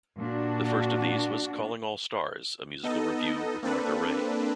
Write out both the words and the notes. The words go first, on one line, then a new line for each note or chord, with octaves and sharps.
The first of these was "Calling All Stars", a musical revue with Martha Raye.
A#2 D4 F#4
B3 D#4 A4 D#5
A#3 C4 D4 A4 B4